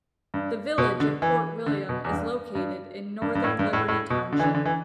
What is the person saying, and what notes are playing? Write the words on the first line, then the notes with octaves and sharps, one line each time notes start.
The village of Port William is located in northern Liberty Township.
G2
B2
D3
E3
D3
B2
E2
G2
G2
G2
G2
A2
G2
A2
A2
B2
D3
E3
D3
D3
E3